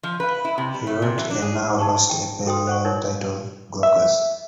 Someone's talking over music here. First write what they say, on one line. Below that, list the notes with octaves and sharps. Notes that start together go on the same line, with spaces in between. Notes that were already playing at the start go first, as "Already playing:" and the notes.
He wrote a now lost epyllion titled "Glaucus".
F3
B4
E4
C3
G3
A3
C3
E3
D4
G#4
D#4 A5 C#6
G5
F#4 A4 G5 C6 D#6
C5 F#5 C#6
D#4 E4 A#4 B4 C#5
E5